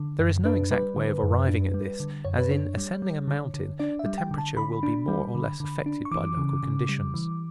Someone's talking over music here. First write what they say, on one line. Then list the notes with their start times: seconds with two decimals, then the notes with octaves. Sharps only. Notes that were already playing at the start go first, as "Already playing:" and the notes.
There is no exact way of arriving at this, as in ascending a mountain the temperature will be more or less affected by local conditions.
Already playing: D3
0.19 F#2
0.45 D4 B4
0.71 G3 B4
0.97 D3
1.23 F#2
1.48 D4
1.74 G3
2.00 D3
2.25 F#2 C#5
2.38 B4
2.51 D4 C#5
2.77 G3
3.02 G3
3.28 D3
3.54 D3
3.79 D4 D5
3.99 E5
4.06 G3
4.18 G5
4.31 D3
4.38 A5
4.57 D3 B5
4.83 D4
5.08 G3
5.35 D3
5.60 D3
5.86 D4
6.05 C#6
6.11 E3 D6
6.37 C#3
6.63 C#3
6.89 G3
7.14 E3